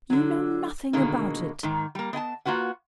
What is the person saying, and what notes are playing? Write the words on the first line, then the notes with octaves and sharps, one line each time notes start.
You know nothing about it.
D3 F#3
B2 D3 D#3 G#3 A#3
G#2 D#3
G3 A#3
B3 D#5 G#5 A5
A#3 F4 F#4 B4 F#5